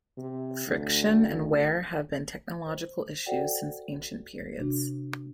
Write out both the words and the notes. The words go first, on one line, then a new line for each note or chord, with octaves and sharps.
Friction and wear have been technological issues since ancient periods.
C3
D2
C5
F#4 A4 C5 D5 F#5 G5
C3 D4 F#4